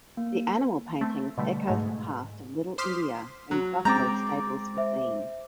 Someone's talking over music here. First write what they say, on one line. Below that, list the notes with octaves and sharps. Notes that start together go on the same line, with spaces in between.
The animal paintings echoes the past of Little India when buffalo stables were seen.
A#3
A3 C4
B2 D3 G3 A3
G#2 B2 G#3 A3
C5 C6 D6 D#6 F6 B6
F#3
G#3 C4 A#5 D6 G6 A6
C5 E5